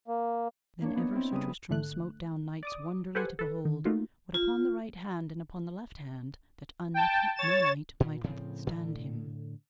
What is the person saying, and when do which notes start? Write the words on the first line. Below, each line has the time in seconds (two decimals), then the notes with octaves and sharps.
Then ever Sir Tristram smote down knights wonderly to behold, what upon the right hand and upon the left hand, that unnethe no knight might withstand him.
0.08 A#3
0.81 A#3 D4 C#5
0.95 B3 D#4
1.12 C4 E4
1.31 C#3 G3 D#4 B4 D#6
1.70 G#1 D3 A3 F#6
2.63 D5 D6 D#6
3.15 G4 A4 B4 C5 F#5 G#5
3.39 A4 B4
3.65 D#3
3.85 A3 A#3 D#4 F4 F#4
4.34 F4
6.94 G5 A5
7.36 C#5 A6 E7
8.00 A#2
8.24 A2 C#3 F3 C4
8.67 A2 D3